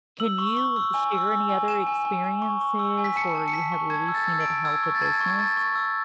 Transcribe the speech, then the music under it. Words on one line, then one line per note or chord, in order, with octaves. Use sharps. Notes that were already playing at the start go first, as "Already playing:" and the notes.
Can you share any other experiences where you have really seen it help a business?
E6 F#7
C#6
C#6
E6
G#5
E6
G#5
G#5
G#5 E7
G#5
G#5
G#5
C#6
C#6
E6
G#5
B6
A5 C#7
A5
C#7
A5 B6
C#6
A5 G#6
E6
A6
E6
A5 D7
E6 G#6
C#6
A6
A5 G#6
C#6
G#6
A5 A6
C#6
E6